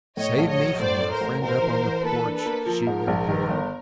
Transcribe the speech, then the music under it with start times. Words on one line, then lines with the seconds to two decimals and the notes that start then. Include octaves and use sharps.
"Save me from our friend up on the porch," she implored.
0.17 A2 C#5 D#5
0.38 A#1
0.48 C#5 D#5
0.59 F#3
0.80 A2 C5 D5
1.00 A3
1.10 A#4 C5
1.21 A1
1.42 A1 A#4 C5
1.62 E3
1.84 E3
2.03 A#3 A4 B4
2.25 D4
2.35 A4 B4
2.46 A#3
2.65 F3 A#4
2.87 G#2
3.07 A#1
3.29 D#3
3.49 G1